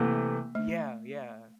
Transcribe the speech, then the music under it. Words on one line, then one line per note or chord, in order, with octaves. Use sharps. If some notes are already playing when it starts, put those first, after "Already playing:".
Yeah yeah.
Already playing: C3 E3 A3 A#3
A3